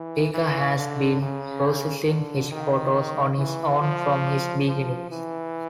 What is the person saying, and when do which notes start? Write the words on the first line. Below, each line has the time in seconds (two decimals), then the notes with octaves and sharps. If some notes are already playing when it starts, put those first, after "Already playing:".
Plicka has been processing his photos on his own from his beginnings.
Already playing: E3
0.34 E3
0.78 D3
1.21 C#3
2.08 D3
2.51 D#3
3.38 E3
3.81 F3
4.67 F3
5.11 E3